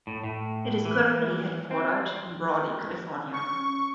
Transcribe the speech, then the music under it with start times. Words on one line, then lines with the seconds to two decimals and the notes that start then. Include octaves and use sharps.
It is currently headquartered in Brawley, California.
0.07 A2
0.24 A2
0.85 E3
1.71 C4
3.33 C#4 C#6